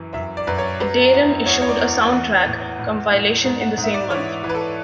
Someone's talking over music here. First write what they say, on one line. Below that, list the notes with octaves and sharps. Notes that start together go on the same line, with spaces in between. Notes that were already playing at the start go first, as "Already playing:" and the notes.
Deram issued a 'soundtrack' compilation in the same month.
Already playing: F#2 E3
F#2 E5
D5
F#2 B4
C#5
F#3 B4
E2
E2 C#5
C#5
D5
E2
E3 F#5
A2
A2
A2
G#2
F#5
G#2
E5
D5
E3 C#5
E3
B4
A4